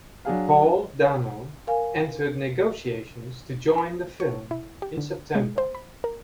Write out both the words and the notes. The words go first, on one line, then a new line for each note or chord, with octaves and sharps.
Paul Dano entered negotiations to join the film in September.
F#3 D4 G#4 F5
A#4 F5 G#5
B5
C#6
E4
G4
D3
G#3
C5
B5
A#4